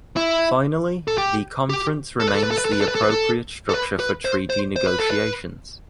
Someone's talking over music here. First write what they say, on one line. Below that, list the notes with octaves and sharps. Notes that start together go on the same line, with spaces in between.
Finally, the Conference remains the appropriate structure for treaty negotiations.
E4
A4
G4
G4
A4
B4
A4
B4
A4
B4
A4
B4
A4
B4
A4
B4
A4
A4
B4
B4
C5
C5
C5
B4
A4
B4